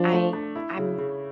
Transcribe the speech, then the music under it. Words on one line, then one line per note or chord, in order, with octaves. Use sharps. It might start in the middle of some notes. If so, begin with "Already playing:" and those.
I I'm
Already playing: F3 D4
A3
D4
E4
C#3
C#3